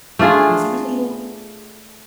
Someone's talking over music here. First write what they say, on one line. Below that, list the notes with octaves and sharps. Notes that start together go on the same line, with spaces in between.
was it Resident Evil?
A3 D4 F4 G#4